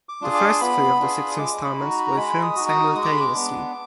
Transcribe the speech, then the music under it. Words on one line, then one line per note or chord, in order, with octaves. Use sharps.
The first three of the six installments were filmed simultaneously.
D6
D4 F4 G#4
D6
B3 B5
D4 F4 G#4
D#6
G#3 D6
B5
D#4 F#4
A#5
B5
A#5
G#3 B5
D#6
D#4 F#4
D#6
G#3 D#6
D6
B5
D6
B3 D4